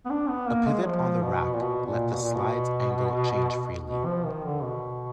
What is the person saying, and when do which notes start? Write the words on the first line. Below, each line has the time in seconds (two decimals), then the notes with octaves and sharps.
A pivot on the rack let the slide's angle change freely.
0.05 B3
0.10 D4
0.29 B3
0.47 A#3
0.66 G#3
0.85 F3
1.23 B2
1.53 A#2
1.61 B2
1.86 A#2
2.11 B2
2.22 A#2
2.34 B2
3.87 B2
4.06 F3
4.25 D#3
4.44 D3
4.64 B2